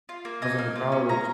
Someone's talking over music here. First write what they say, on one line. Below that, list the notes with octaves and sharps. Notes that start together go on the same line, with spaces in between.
I was into college,
F4
A#3
D#4 G#5
A#3
F4
C#4
G#4 A#5